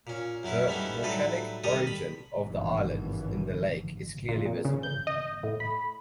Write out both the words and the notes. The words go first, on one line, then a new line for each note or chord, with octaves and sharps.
The volcanic origin of the islands in the lake is clearly visible.
A#2 C#4
F#2 F#3 C#4 E4
E3 G3 A3 B3 C#4 D#4
A2 F#3 G3 D#4 A4 B4
D#3 G3 G4 A4 D#6
B5
G#1 G2 B2 E3
A#2
A#2
C#3
G6
D#5
A2
B5